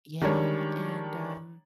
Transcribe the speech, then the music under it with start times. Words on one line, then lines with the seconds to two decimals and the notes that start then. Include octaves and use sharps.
yeah, and, um,
0.22 D#3 G3 G#3 D4 C#5